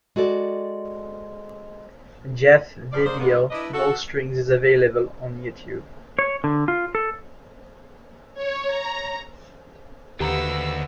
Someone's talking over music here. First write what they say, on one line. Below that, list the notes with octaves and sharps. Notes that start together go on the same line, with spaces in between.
Jeffs video "No Strings" is available on YouTube.
G#3 F#4 A4 D5
D2 G2 F3 D5
C#3 A#3 D4 G#4 C5
C#3 E3 G3 G#3 A#3 B3
D4 E4 B4 D5 D#5
F#4 A4
C#5
D3
F4
A4
C#5
A#5
D#2 D3 F#4 G4 B4 A#5 E6